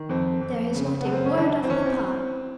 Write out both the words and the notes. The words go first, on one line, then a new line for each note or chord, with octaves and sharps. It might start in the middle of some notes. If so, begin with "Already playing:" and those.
"There is not a word of papa!"
Already playing: D#3
F2 C4
F2
C#3
B3
F#2
C4
C#4
E3 D4
C4
E3 C#4
C4